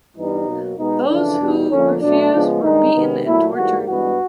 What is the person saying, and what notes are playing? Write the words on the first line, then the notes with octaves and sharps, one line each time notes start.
Those who refused were beaten and tortured.
G2 E3 G3 B3 D#4
B2 F#3 A#3
B2 G#3 B3 D#4
F2 C#3 E3 D4
E2 B2 G3
F2 D3 F3 A#3 C#4
B2 F#3 A3 D4
C#3 F3 G#3 B3
G2 D#3 G#3 D#4
C3 D#3 G#3 B3
A#2 F#3 A3 E4
G#2 E3 G3 A#3 F#4
G2 E3 G#3 B3 F#4